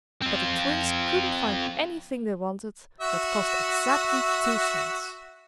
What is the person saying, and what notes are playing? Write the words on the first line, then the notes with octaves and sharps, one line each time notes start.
But the Twins couldn't find anything they wanted that cost exactly two cents.
C4 F4
F#4 E5